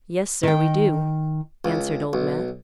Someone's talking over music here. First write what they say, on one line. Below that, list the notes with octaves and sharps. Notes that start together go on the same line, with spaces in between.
"Yes, sir, we do," answered Old Matt.
D#3 G5
C#2
B1